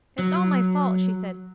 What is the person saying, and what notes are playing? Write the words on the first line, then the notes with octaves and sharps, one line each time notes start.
'It's all my fault,' she said.
F#3